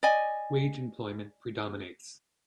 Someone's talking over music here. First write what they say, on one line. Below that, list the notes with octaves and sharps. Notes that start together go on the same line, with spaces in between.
Wage employment predominates.
D5 D#5 G#5